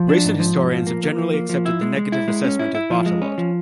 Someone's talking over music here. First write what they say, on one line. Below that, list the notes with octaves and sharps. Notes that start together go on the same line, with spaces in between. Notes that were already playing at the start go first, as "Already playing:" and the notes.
Recent historians have generally accepted the negative assessment of Barttelot.
Already playing: F3
D4
G#2
F3
G#2
F3
A#3
A#3
F3
A#3
F3
E4
G#3
G#3
E4
G#3
C#4
E4
E4
F3
G#3
C#4
F3